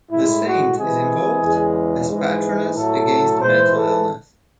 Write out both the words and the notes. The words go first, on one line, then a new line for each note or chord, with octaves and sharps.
The saint is invoked as patroness against mental illness.
A2 G#3 E4
F#4
C3 E3 G#3 G#4
E2 C#3 G#3
G#2 E3 G#3
A2 F#3 A3 A4
G#2 E3 G#3 C5
A4